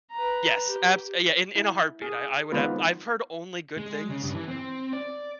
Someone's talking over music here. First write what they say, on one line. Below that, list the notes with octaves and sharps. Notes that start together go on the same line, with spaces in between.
Yes, abs yeah, in in a heartbeat, I I would have I've heard only good things,
B4 A#5
G4
E4
G#4
D#3 G#3 B3 C4 F4 B4
G#3
C#3
G2
E3
C4
D5